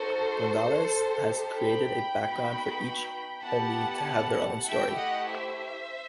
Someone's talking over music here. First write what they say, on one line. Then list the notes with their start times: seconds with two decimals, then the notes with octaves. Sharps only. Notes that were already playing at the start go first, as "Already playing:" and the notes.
Gonzales has created a background for each Homie to have their own story.
Already playing: D#4 F#4 A4 C5
0.97 D#4 G4
1.58 G5 B5
2.19 B3 D#4 F#4
3.42 B3 E4 G4 F#5 A5
4.65 A3 E4 G4 E5 G5
4.96 D#5 F#5
5.27 C5 E5